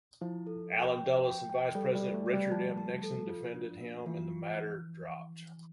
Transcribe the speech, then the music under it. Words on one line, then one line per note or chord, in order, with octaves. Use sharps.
Allen Dulles and Vice President Richard M. Nixon defended him, and the matter dropped.
F3 E4
A4
G5
G5
G5
G5
G3 A4
G3
D5
A3
D5
G3
F3 A5
A5
A4
F4
D4
A#3
E3 F4